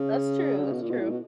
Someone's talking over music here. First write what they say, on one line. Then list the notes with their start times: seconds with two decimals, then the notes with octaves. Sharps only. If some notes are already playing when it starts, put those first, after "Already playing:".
That's true, that's true.
Already playing: C#3
0.57 D3
0.64 C#3
0.73 B2
0.81 A#2
0.90 B2
1.00 A2
1.11 B2